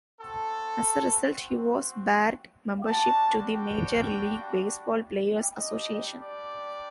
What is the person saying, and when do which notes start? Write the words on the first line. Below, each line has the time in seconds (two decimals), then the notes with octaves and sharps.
As a result, he was barred membership to the Major League Baseball Players Association.
0.21 C4 F#4 A4
2.88 G3 D4 F#4 A5
3.55 G5
5.55 G3 D4 G4 D#5
6.22 D5